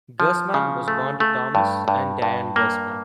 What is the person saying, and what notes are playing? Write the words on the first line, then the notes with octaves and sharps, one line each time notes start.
Gerstmann was born to Thomas and Diane Gerstmann.
F3
C#3
A3
A3
G2
G2
G2
A#3